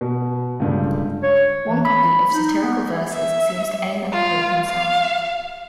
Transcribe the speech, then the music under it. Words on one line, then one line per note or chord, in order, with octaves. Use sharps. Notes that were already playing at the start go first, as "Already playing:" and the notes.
One copy of satirical verses seems to aim at the pope himself.
B2
C#2 G2 D3
C#5
E3
B5
D#4
B3
E5
F4
F5